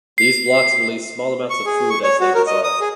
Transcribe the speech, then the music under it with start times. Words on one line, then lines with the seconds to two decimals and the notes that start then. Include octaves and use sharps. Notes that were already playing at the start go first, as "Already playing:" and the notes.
These blocks release small amounts of food as they dissolve.
0.18 C7
1.50 C#6
1.66 G#4
1.90 C#6
2.03 C#5
2.21 F#4
2.35 A#4
2.47 D#5
2.64 D#6
2.81 G#4